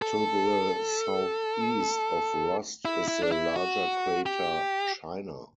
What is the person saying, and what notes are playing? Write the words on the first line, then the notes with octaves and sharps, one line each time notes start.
To the southeast of Rost is the larger crater Scheiner.
A4
E4
E4
D4
E4
F#4
G4